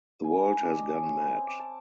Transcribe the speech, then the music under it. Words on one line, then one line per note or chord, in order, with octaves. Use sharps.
The world has gone mad.
G#5
A#4
B4
D4
D#5
G#5
C#4
B4
C4
D6
A5